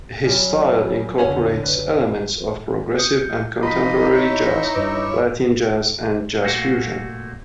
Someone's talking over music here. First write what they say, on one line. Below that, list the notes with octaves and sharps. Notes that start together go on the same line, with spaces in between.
His style incorporates elements of progressive and contemporary jazz, Latin jazz, and jazz fusion.
C#3 F#3 G3
F2 D3 C#4 F#5 G#5
F#1 B4
D#6 G6 C#7
F3 D#4 D#5 B5 C6 B6
E4 C#5
G2 B4 D6 E6
A#2 A3 A#3 F#4